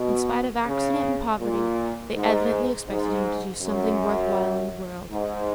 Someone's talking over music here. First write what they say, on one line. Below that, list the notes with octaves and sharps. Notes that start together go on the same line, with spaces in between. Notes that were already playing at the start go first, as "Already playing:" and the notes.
In spite of accident and poverty, they evidently expected him to do something worth while in the world.
Already playing: B2
C#3
A#2
G#2
G#2
F#2
G#2